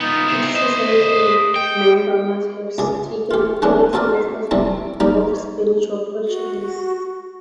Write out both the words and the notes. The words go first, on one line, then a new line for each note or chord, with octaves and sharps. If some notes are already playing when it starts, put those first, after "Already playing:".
Each society member must have taken three semesters of Spanish or Portuguese.
B3 D#4 F4
E4 C5
B4 C5 D#5
G5
C#2 G#4
F4 G4
D#3 G#3 A3 B3 C#4 D4
C4 F#4 A4 A#4 D5
C3 G3 A3 C4 E4
G3 A#3 D#4 G5 B5
F#4